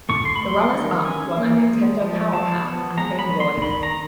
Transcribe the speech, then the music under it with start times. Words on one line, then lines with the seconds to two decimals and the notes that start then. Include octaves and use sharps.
The runners-up won a Nintendo Power Pad and a Game Boy.
0.09 A3 C#6
0.25 C6
0.36 B5
0.41 G3 C6
0.73 D#3
1.05 C#4 G#5
1.37 A#3
1.69 G#3
2.01 F3
2.33 F3 A5
2.65 B3
2.97 G#3 A#5
3.19 B5
3.29 D#3
3.40 C6
3.61 D#3 B5
3.83 A#5